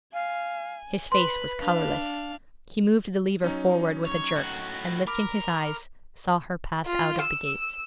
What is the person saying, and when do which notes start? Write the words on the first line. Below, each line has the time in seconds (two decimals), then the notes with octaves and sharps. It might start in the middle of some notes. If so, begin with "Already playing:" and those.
His face was colorless. He moved the lever forward with a jerk, and lifting his eyes, saw her pass out of the gate.
0.13 F5 G#5
1.12 B4 B5 C6
1.61 D4 F5
3.42 F#3 C#4 D#4
4.05 C#5
4.36 A2 F#4
5.07 A#4 B5 D6 F6
6.86 F4
7.21 E6